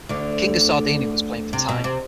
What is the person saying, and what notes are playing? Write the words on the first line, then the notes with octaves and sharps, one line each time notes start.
The King of Sardinia was playing for time.
D2 D3
C3
B2
C3